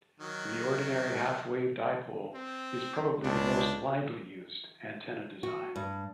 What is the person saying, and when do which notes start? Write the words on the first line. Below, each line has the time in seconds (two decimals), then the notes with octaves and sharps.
The ordinary half-wave dipole is probably the most widely used antenna design.
0.20 D#3 F#3
2.35 C4
3.24 C#2 D4
5.43 F#4
5.76 G2